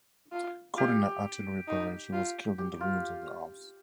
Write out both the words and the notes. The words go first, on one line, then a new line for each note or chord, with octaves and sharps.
Caught in an artillery barrage, he was killed in the ruins of the house.
F4
F4 G4
D#4
F4
G4
F4